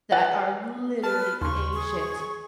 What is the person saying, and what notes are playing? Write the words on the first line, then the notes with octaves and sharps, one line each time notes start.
that are literally ancient.
B4 D5 F#5
B4 A5 F6
D#2 C#3 C6 C#6
G#4